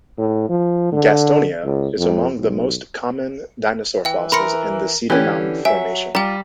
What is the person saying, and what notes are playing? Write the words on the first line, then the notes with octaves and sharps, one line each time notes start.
"Gastonia" is among the most common dinosaur fossils in the Cedar Mountain Formation.
A2
F3
D3
C#2
F2
B1
E3 E5 G5
A#4 B5 C6 C#7
D3 E3 C#4 G4
F#3 E5 G#5
G3 F4 G5 A#5